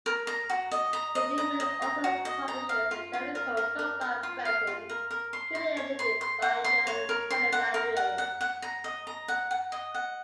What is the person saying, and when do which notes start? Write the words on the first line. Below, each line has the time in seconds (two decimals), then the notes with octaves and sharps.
The movement also publishes a journal called "Combat Breton", currently edited by Yann Puillandre.
0.06 A#4
0.27 A#5
0.50 F#4
0.71 D#5
0.93 A#5
1.15 D#5
1.38 A#5
1.60 D#5
1.82 A#5
2.04 F#4
2.25 D#5
2.48 A#5
2.69 F5
2.91 F4
3.13 F4
3.35 A#4
3.57 A#4
3.79 A#4
4.01 A#4
4.23 F4
4.45 F5
4.67 F4
4.89 A#4
5.11 A#4
5.33 C6
5.55 C6
5.77 C#5
5.99 C6
6.21 C6
6.42 F#5
6.64 C6
6.87 C#5
7.09 A#4
7.30 C6
7.52 F#5
7.74 A#4
7.97 F#5
8.18 F#5
8.41 F#5
8.62 A#5
8.84 D#5
9.07 A#5
9.28 F#5
9.51 F#5
9.72 D#5
9.95 F#5